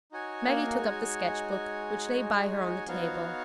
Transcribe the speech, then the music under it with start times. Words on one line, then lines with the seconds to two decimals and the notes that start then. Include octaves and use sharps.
Maggie took up the "Sketch Book," which lay by her on the table.
0.12 D#4 F#4 C#5 G#5
0.47 A#3
0.81 G#3
2.87 F3 B3 D#4 F#4 C#5 F5